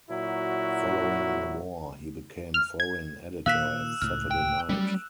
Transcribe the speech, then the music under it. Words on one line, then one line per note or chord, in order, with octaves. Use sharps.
Following the war, he became Foreign Editor at Saturday Night.
A#2 F#3 E4 F#4
F6
G#6
A#2 D#3 A#3 F5 E6 F#6 B6 E7
C#2 A2 F6
G5
F#3 G3 A3 C#4